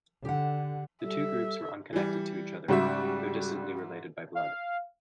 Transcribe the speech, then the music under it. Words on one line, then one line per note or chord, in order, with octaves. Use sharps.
The two groups were unconnected to each other, though distantly related by blood.
D3 G4 F#5
G3 A4 E5
E3 G3
G#2 C#3 G3 F#4 E5
F5